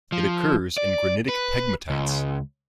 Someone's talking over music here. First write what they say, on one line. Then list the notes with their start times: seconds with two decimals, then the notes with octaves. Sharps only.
It occurs in granitic pegmatites.
0.12 F3
0.78 D5
1.29 B4
1.90 C#2